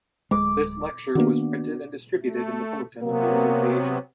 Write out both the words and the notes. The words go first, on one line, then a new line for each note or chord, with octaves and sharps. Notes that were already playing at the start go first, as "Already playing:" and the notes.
This lecture was printed and distributed in the bulletin of the association.
D1 G#3 D6
D#3 A#3 B3 D4 F#4
A3
C3 F#3 A#3 B3